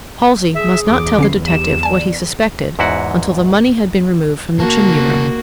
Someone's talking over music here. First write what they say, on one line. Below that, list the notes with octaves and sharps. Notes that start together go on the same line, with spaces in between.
Halsey must not tell the detective what he suspected until the money had been removed from the chimney-room.
G#4 E5
E2 D6
D3 F3 C#4 C7
G4 E7
D5 G#5 A5
E2 G#2 E4 F#4 F#5
C#3 A#3 F#4 A5